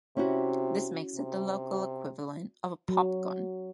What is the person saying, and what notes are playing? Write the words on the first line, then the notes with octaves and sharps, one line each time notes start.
This makes it the local equivalent of a pop gun.
C3 C#4 E4 F#4
C3
F#3